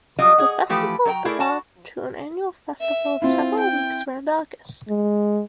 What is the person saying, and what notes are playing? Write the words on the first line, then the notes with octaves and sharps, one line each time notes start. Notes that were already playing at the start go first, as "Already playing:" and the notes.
The festival developed to an annual festival of several weeks around August.
F#3 G3 F4 D#5
G#4 F#5
E3 F3 A3 G4 B4
F#3 A4 C#5 G5 A#5
A3 E4 G#4 A#4 D5
F#4 F#5 A5
E5
C4 E4 F4
G5
G#3